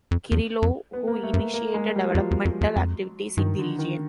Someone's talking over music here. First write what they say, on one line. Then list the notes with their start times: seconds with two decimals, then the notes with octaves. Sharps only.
Kirilov, who initiated developmental activities in the region.
0.11 F2
0.31 E2
0.62 F2
0.93 B3
1.07 A#3
1.23 A3
1.34 F#2
1.39 A#3
1.54 A#3
1.74 G#3
1.95 G3
2.10 F3
2.15 F2 F#3
2.31 E2
2.45 F2
2.61 E2
2.76 F2
3.37 G2 D#3
3.59 D3
3.79 D#3